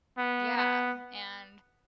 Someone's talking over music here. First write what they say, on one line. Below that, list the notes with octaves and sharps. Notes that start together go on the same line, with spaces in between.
yeah, and
B3
B3